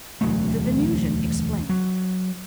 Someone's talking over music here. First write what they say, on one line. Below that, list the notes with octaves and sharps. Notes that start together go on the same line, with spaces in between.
The Venusian explained.
E1 D2 F#3 A3
F#3